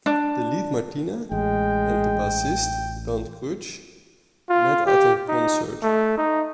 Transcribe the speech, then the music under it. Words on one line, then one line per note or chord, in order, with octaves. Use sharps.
The lead, Martina, and the bassist, Dan Kurtz, met at a concert.
D4
A1 G#3 G5
F4
G4
D#4
A3
D#4